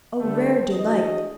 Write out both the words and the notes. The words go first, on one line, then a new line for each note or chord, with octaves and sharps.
Oh, rare delight!
D3 G3 A3
E3 D4 F#4 G#4 D#5